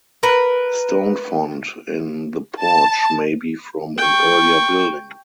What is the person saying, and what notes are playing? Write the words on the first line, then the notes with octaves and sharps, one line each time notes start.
The stone font in the porch may be from an earlier building.
A#4 B4
A5
G5 C#6